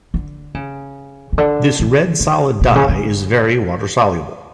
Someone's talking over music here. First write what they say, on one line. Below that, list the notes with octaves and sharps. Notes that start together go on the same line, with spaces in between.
This red solid dye is very water-soluble.
D3
C#3
C#3
D3
E3
D3
B2
C#3
D3